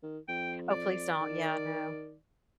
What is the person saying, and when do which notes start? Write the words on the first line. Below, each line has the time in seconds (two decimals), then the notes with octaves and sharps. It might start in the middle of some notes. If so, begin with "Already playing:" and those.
Oh, please don't, yeah, no.
0.03 D#3
0.28 F2 G5
0.70 D5
1.21 D#3